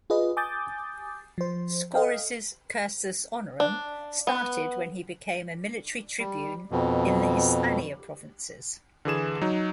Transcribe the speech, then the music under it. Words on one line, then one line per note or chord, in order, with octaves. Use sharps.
Scaurus' "cursus honorum" started when he became a military tribune in the Hispania provinces.
F4 G#4 B4 D#5
G#5 D6 D#6 G6 A6
F3 C5
A4 D#5 F5 G5
D4
B3
G3
F2 B2
D3 E3 G#4 E7
F#3 D#4